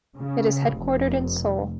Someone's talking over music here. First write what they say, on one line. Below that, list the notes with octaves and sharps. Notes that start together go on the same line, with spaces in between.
It is headquartered in Seoul.
C#3
F1